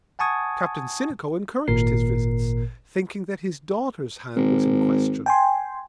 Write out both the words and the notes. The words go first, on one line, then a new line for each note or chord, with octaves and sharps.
Captain Sinico encouraged his visits, thinking that his daughter's hand was in question.
F#5 G#5 A5 C#6 D#6 G#6
G#1 A#2 A#4 C7
G#1
G5 G#5 C6